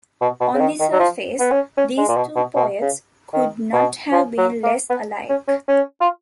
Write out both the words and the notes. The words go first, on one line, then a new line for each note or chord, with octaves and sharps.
On the surface, these two poets could not have been less alike.
B2
B2
C#3
D#3
D#3
F#3
F3
B3
C#4
C#4
G#3
A#2
B2
B2
B2
C#3
D#3
B2
F3
F#3
A#3
B3
C#4
C#4
C#4
F4